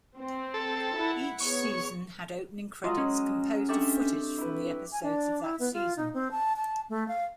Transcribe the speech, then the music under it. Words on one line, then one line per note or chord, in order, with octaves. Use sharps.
Each season had opening credits composed of footage from the episodes of that season.
C4
A4
E4 F#5
B3 G#4 C#5 C#6
F#3 G#3 F4 D#5
C#4
C4 D4 G4 A4 E5 C#6
E4 B4
G#5
D4
E4
B3
F4
D#4
C4
A5
A5
A3
F5